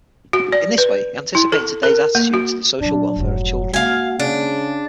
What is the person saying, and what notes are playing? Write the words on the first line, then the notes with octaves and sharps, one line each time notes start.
In this way he anticipated today's attitude to the social welfare of children.
F#4
D5
B4
E4
A4
A#4
A#3
F#4
A#2 F#3 D4
F1 G#2 F#3
G#3 A#3 F#4 F5 G#5
C#3 D4